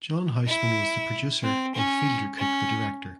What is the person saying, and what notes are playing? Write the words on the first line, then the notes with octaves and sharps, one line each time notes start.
John Houseman was the producer and Fielder Cook the director.
E4
C4
C#4
C#4